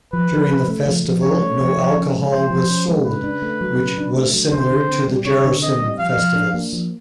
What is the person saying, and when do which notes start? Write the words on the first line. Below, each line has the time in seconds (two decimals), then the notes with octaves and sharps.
During the festival no alcohol was sold, which was similar to the Jarocin festivals.
0.13 F3 B4
0.32 F3
0.49 C#4
0.68 A3
0.86 F3
1.05 F3
1.22 C#4 C#5
1.41 A3
1.60 F3
1.78 F3
1.96 C#4
2.15 G#3
2.32 F3 C5
2.50 F3
2.69 C#4
2.88 G#3
3.06 C#3 B4
3.24 D4
3.42 A3
3.61 F#3
3.79 C#3
3.98 D4
4.15 A3
4.33 F#3
4.52 D3 C5
4.70 D3
4.89 C4
5.08 G3
5.25 D3 C#5
5.44 D3
5.62 C4 D#5
5.80 G3
5.99 F3 F5
6.17 F3
6.35 D4
6.54 A#3
6.73 F3